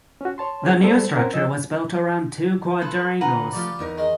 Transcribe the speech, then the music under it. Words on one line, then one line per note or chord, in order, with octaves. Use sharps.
The new structure was built around two quadrangles.
C#4 F#4
C#5 A5 C6
C#4 G#4
G3 G#3 B3 A4 C5
C4 C#4 A#4 F#5
F3 D#5 E6
A4 B4 C5
D3 F4 B4 F#5 G#5 A#5
C#3 F3 A3 F4 G4 D5
E2 D#4 A#4
D#3 G#3 D#5